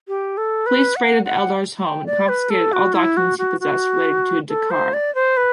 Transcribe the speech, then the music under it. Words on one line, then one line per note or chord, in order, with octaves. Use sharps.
Police raided Eldar's home and confiscated all documents he possessed relating to "Dakar".
G4
A4
B4
F#5
F#5
G5
D5
B4
A4
F#4
E4
F#4
F#4
F#4
A4
C5
D5
C5
B4